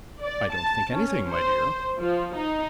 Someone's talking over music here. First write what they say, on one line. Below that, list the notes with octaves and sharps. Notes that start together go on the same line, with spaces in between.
"I don't think anything, my dear."
D5
A5
C#4
C5
F3
D#4